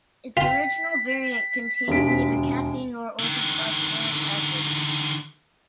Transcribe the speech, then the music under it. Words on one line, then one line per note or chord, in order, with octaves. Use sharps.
Its original variant contains neither caffeine nor orthophosphoric acid.
F4 G5 B6
E1 D#2 D7
D3 D#3